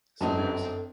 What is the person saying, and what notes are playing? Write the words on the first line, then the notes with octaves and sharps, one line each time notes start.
So there's
G1 F#2 C4 A4 D#5 A5